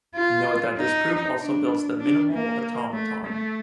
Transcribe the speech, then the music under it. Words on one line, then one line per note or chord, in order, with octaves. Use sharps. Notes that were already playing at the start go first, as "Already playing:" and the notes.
Note that this proof also builds the minimal automaton.
F4
D#4
D4
D4
A#3
A3
A3